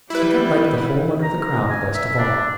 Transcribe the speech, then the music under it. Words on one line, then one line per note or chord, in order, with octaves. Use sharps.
"I think I liked the home under the ground best of all."
G3 E4 B4
A#5
G#5
E5
D4